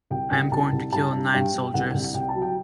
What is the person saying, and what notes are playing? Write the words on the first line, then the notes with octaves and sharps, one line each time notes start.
I am going to kill nine Soldiers.
C2 G5
C2
C2 A5
C2
G2 A5
G2
G2 G5
G2
C2 F#5
C2
C3 G5
A5
F#3
G5